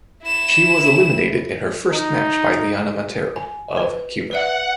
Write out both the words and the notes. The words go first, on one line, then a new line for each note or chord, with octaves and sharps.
She was eliminated in her first match by Lianna Montero of Cuba.
E4 E7
D#4
G#5
B4
B4 D5 E5 F#5